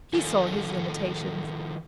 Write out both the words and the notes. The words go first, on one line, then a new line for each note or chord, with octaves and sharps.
He saw his limitations.
D#3 F3 F4 A4 G#5